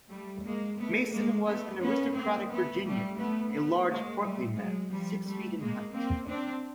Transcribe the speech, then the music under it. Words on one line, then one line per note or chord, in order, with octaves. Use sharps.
Mason was an aristocratic Virginian, a large portly man, six feet in height.
G3 A3
G#3 A#3
A3 B3
G#3 A#3
A3 B3
B3 C#4
A#3 C4
A3 B3
G3 A3
A3 B3
A3 B3
G#3 A#3
G3 A3
F#3 G#3
F3 G3
G3 A3
G#3 A#3
A#3 C4
C4 D4